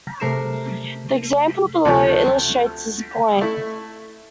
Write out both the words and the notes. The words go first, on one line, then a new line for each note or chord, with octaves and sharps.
The example below illustrates this point.
C3 A3 A#4 C7 E7
D2 C3 F3 A3
A3 E4